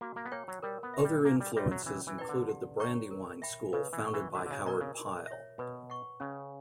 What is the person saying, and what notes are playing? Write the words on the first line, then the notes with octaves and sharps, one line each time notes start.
Other influences included the Brandywine School founded by Howard Pyle.
A#3 F#4
A#3
B3
A#3 C#5 G5
F#3
G3 A#4
B3
E5 G5
G3
A#3 D4
G3
G3 F#4 C#5 E5
F#3
E3 C#4
E3
E4 B4 D5 G5
D3
G4
C#5 G5 A#5 C#6
A#4
E5 G5 B5
C#3 B4
E3
F#5 C#6
E3
D3 F#4
D3
C#3
B2 A#4 D5 A#5
C#3
A#4
C#5 E5
B2 B4
F#5 C#6
C#3 C#4